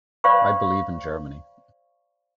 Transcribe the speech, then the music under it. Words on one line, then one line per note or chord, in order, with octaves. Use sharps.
I believe in Germany.
C5 D5 F5 B5 C#6